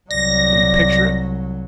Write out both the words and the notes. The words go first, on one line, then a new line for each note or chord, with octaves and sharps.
Can you picture it?
C2 F#3 D5 A#6